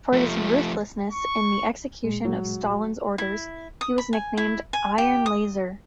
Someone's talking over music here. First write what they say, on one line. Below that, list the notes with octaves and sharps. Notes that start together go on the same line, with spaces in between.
For his ruthlessness in the execution of Stalin's orders, he was nicknamed "Iron Lazar".
F3 A3
C#6
A#2 G#3
F#3
E4
D#6
B5
G#5
E4
G#5
G4
D#6